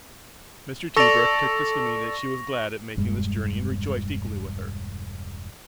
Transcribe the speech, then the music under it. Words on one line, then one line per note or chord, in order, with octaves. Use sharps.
Mr. Tebrick took this to mean that she was glad at making this journey and rejoiced equally with her.
A4 D5 C#6 A#6 F7
E1 G2 G#3